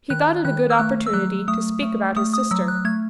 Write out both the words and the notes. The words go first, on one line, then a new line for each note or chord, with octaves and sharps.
He thought it a good opportunity to speak about his sister.
D#3 F#6
D#3 F#6
E6
A3 F#6
E6
F#3 F#6
A3 D#6
A3
A3 D#6
D#6
F#3 E6
F#6
A3 G#6